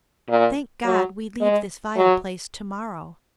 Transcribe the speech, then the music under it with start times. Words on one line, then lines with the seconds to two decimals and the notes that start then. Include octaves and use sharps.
Thank God, we leave this vile place tomorrow.
0.29 A#2
0.85 F#3
1.41 G#3
1.97 F#3